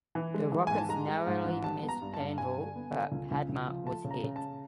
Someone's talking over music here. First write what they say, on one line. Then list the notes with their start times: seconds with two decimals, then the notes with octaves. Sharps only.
The rockets narrowly missed "Panvel" but "Padma" was hit.
0.15 E3
0.34 G#3
0.52 E3
0.67 G#2 G#5
0.78 A5
0.89 G#3 A#5
1.08 G#3
1.27 G#2
1.45 A1
1.64 G3 A5
1.82 B3
1.89 A#5
2.01 G2
2.14 A5
2.20 G2
2.38 G2 G#5
2.57 D3
2.75 B3
2.94 D3
3.12 C#2
3.31 C#2
3.49 C#2
3.68 F3
3.86 A3 A5
4.04 C#3
4.11 A#5
4.24 C#3
4.36 A5